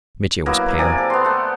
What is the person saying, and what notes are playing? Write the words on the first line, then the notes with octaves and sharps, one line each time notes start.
Mitya was pale.
F#3 A#3 B3 E4
C3 D5 G#5 A#5
A4
B3 C6
A3 F#5